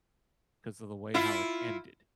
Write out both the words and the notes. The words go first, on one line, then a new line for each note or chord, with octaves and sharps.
'cause of the way how it ended.
E4 F4